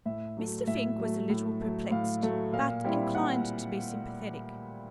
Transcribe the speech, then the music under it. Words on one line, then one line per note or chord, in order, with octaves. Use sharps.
Mr. Fink was a little perplexed but inclined to be sympathetic.
A2 E5
F#3 A3
A2 E5
F#3
A3
A2
F#3 A3
A2 F5
F#3 A3
A#2 F5
G3 C4 E4
A#2 F#5